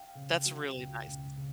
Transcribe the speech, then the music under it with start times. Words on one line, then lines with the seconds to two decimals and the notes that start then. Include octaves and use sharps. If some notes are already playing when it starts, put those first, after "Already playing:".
That's really nice.
Already playing: F5 G5
0.15 C#3
0.46 F#3
0.76 C#2
1.06 C#2
1.37 C#3